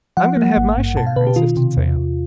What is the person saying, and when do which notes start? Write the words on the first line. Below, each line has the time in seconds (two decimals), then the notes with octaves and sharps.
"I'm going to have my share!" insisted Sam.
0.17 F3 F#5
0.37 A#3
0.57 G#1
0.77 G2
0.97 B2 A5
1.07 F5
1.16 B2 B4
1.27 G4
1.36 D#3 F4
1.57 C3
1.77 E2
1.97 E2